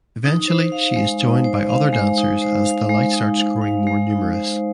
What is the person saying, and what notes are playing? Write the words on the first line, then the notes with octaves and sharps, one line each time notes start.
Eventually she is joined by other dancers as the light starts growing more numerous.
D#4
C5
F5
G#3
D#4
C5
F5
G#3
D#4
C5
F5
G#3
D#4
C5
F5
G#3
D#4
C5